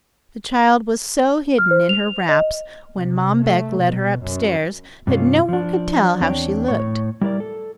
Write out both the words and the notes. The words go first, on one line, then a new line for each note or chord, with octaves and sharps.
The child was so hidden in her wraps when Mom Beck led her up-stairs, that no one could tell how she looked.
F6
C5
F7
D#5
C3
A3
B2
F#2
G2 C3 C#4 F4
F3 D4
E2 C4 D4 C#5 G5
A2 C#5
G3 E4 A#4 D5
A4